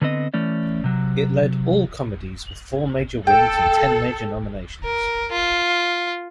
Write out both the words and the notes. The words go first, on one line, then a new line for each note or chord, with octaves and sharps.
It led all comedies with four major wins and ten major nominations.
D3 B3 C4 D#5
E3 A3 C#4 D5
C3 F#3
A4 G5
A#4
F4